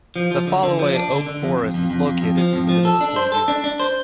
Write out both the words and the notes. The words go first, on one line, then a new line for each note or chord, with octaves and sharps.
The Foloi oak forest is located in the municipal unit.
F3
F3
D3
D3
F3
D4
D3
D3
F2
F2
F2
F2
F2
F2
F3
F2
F3
A4
D4
C5
A4
D4
D4
C5